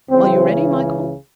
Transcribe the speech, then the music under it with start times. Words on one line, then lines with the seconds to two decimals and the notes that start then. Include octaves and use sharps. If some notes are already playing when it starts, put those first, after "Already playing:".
"Are you ready, Michael?"
0.10 C#2 C#3 E3 C4